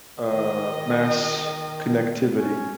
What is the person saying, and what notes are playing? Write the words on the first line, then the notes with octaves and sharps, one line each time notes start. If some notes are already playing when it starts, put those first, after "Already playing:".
uh, mass connectivity.
D#3 D#5
C#4